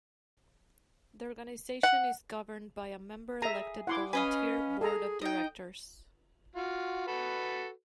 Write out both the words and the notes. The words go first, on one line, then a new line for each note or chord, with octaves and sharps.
The organization is governed by a member-elected, volunteer Board of Directors.
F#5
G#4 E5 A#5
E4 F#5 C6 D6
C#4 B4 D#5 F5 G#5
G#4 A4 A#5
D#4 D#5 G5
F4 F#4
F#4 A4 B4